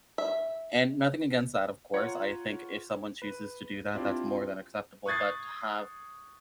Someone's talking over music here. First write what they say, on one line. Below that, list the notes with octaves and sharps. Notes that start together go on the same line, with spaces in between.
and nothing against that, of course. I think if someone chooses to do that, that's more than acceptable, but to have
E5
F4 C#5 F#5 A#5 G#6 C#7
B4
C4 D4 E4 F4 G4 D5
C#6 D#6 F#6 G#6 A6 C7